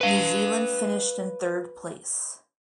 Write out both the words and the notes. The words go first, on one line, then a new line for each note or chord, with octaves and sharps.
New Zealand finished in third place.
B4 F5